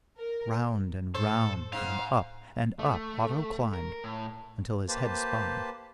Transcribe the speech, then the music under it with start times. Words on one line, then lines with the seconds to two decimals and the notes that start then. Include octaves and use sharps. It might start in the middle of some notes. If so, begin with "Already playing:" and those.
Round and round and up and up Otto climbed, until his head spun.
0.17 A#4
1.14 A2 A4 C5
1.73 G#2 C4 F5
2.79 A3
3.74 A#4
4.04 A2
4.88 A#3 G4 B4 C5 A5